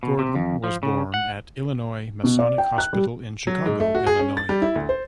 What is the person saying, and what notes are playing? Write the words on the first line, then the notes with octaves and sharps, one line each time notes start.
Gordon was born at Illinois Masonic Hospital in Chicago, Illinois.
B2
C3
F2
F3
C#3
F#5
B2
D5
G5
F#6
G3
F#3
G#2
A3
F#4
G#4
C#4
A6
G3
E4
D2
C5